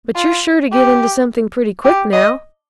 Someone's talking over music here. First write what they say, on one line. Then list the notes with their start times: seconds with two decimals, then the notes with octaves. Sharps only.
"But you're sure to get into something pretty quick now."
0.16 F4
0.72 G4
1.85 G4
2.13 D#5